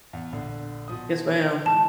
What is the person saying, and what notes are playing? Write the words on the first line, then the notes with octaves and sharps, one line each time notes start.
Yes, ma'am.
E2
A#1 D3
B2 F3 D#6
E3 G#3 A5